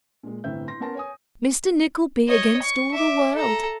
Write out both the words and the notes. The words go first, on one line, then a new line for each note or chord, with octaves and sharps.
Mr Nickleby against all the world.
A#2 G#3
G1 A2 C4 E4 E5 G6
E4 C6 A#6
B3 C#4 A#4 A5 C6 A#6
C#5 G#5 D#6
C#5 D#5
C#6
E5 D6
A4 A#5